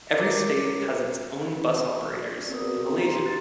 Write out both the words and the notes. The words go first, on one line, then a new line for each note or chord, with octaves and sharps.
Every state has its own bus operators in Malaysia.
A#4 B4 C#5 A#5 D6 A6
D5
B3 C4 G#4 A#4 B4 D#6
F#4
G4 A#5
F#4 C6
D4 E4 A6